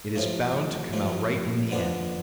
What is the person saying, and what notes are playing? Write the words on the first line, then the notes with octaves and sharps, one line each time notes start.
"It is bound to come out right in the end."
A1 A2 F3 A3
A1 A2 F3 A3
D3 F3 B3 D4